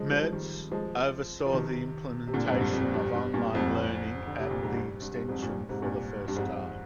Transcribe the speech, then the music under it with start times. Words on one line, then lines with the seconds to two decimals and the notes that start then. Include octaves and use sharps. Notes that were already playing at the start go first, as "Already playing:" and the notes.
Metz oversaw the implementation of online learning at the extension for the first time.
Already playing: F3 G#3
0.11 F3 G#3
0.23 G#3
0.32 D#3 G3
0.72 F3 G#3
1.46 F3
1.53 C3 D#3
2.27 C3
2.33 A#2 D3
2.46 F2 G#2
2.60 G2
2.74 F2
2.94 G2
3.15 G2
3.34 G2 A#2
3.54 F2 G#2
4.27 D3
4.39 C3
4.51 A#2
4.63 G#2
4.75 G2
5.02 G2
5.15 G2
5.28 F2 G#2
5.42 G2 A#2
5.69 G#2 C3
5.82 G2 A#2
6.28 G2
6.36 F2 G#2